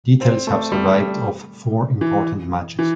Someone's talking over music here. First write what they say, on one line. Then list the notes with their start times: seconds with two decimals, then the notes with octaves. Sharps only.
Details have survived of four important matches.
0.21 C4
0.47 A3
0.72 G3
2.01 E3
2.79 E3